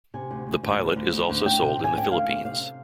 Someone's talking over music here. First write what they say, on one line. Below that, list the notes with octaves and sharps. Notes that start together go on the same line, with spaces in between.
The Pilot is also sold in the Philippines.
C3 G#5
D2
D2
D2
D2
D2
D2
D2
D2 G5
C3
C3
G#5
D2 G5
D2 F5
D2
C3 F5
C3